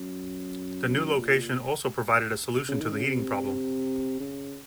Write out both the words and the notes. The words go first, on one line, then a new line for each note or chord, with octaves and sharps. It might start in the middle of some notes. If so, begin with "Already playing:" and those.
The new location also provided a solution to the heating problem.
Already playing: F#2
A#2
C#3
D#3
C#3
C3
C#3